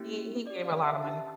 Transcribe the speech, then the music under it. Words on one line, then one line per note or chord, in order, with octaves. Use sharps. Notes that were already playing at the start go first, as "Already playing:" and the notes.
he he gave a lotta money.
Already playing: A#3 C#4 E4 G4
C#4 G4 D5
F5
E5
C#4 G4 A5